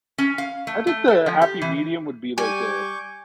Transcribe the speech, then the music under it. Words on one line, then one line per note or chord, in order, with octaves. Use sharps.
I think the happy medium would be like, uh,
C#4
F5
A3
A3
A4
F3
G4
E3
G3 G#5 C#6 D6 G6